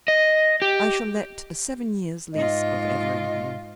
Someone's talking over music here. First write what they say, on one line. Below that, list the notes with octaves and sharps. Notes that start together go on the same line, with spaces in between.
I shall let a seven years' lease of Everingham.
D#5
G4
G#2 F4 D#5